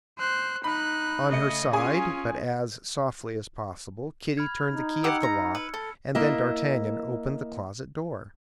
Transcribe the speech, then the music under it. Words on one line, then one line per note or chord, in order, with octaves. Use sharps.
On her side, but as softly as possible, Kitty turned the key of the lock, and then d'Artagnan opened the closet door.
C5 F#6
D#4 B5 F#6
C#3 A3 D#5 C#7
C#4 F4 G#4 G#5 D#6
B5 F6 G#6
D#4
G4 F#5 D6 E6 C#7
A#5
B4
A4
A#3 E4 D#5 E5